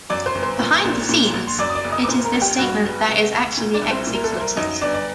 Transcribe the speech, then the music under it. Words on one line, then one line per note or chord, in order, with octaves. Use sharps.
Behind the scenes, it is this statement that is actually executed.
F#2 D5 D6
C5 C6
G1
C5 C6
A#2
A#1
A#2
A#1
C6
F#2 D5 D6
D#6
D5 D6
F#1
D#5 D#6
D6
A#2 C5 C6
A#4 A#5
A#1
G4 G5
G2 F#4 F#5
G1
C3
D2
A#2
D4 D5
C2
C4 C5
A#2
A#4
A4
C2 C5
A#4
F#2 D#4 D#5
G1 D4 D5
D5